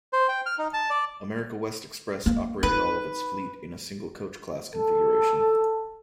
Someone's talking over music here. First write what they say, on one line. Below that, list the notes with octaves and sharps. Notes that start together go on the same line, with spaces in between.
America West Express operated all of its fleet in a single coach class configuration.
C5
G5
F6
D#4
A5
D5
A#3
D#4 B4
A4